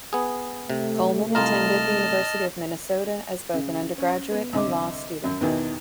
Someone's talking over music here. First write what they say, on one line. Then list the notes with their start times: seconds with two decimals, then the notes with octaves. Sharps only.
Coleman attended the University of Minnesota as both an undergraduate and law student.
0.13 B3 G#4
0.70 C3 A3
1.35 C2 F4 A#4 D#5 A5 F6
3.54 C#3
3.98 C#4
4.31 B3
4.53 C2 D3 D#5 D6
5.24 F#2
5.41 E2 B2 D#3 E3